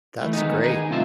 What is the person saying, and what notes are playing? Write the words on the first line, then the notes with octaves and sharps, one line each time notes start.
That's great.
E3 A3
D#3 G#3 B3 D#4
D#4 G#4 D5 G#5
G2 C3 F3 A3 F4 E5